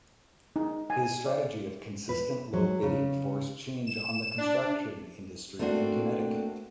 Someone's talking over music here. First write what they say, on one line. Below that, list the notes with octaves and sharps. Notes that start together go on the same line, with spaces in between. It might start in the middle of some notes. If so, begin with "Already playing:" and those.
His strategy of consistent low bidding forced change on the construction industry in Connecticut.
D#4
G#5
D5
B4
F#3
C#3
E7
D4
A3 A#3 C4 D4 F#4